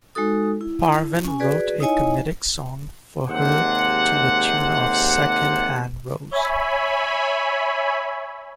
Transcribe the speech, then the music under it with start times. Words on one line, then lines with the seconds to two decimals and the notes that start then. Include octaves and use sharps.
Parvin wrote a comedic song for her to the tune of "Second Hand Rose".
0.15 G#3 D#4 F#4 A4 D#6
0.61 E4
1.24 C#4 G#5
1.40 F#4 G#4 B4 D5
1.80 D#4 E4 C#5 D#5 G#5
3.29 D#2 C3 G#3 C5 F#5
6.31 C#5 E5 G#5 B5